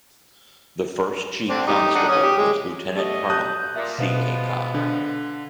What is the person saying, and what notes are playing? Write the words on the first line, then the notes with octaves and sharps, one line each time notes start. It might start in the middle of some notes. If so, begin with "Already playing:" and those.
The first Chief Constable was Lieutenant Colonel C. A. Cobbe.
D3 C4 D4
D#4 G4
D4 D#4 F#5
C#4 D#6
G4
G#3
B2 A3 G4 D#5
A5 D#6 F#6 G6
A#2 E5
B2 F3 G#3 B3
D3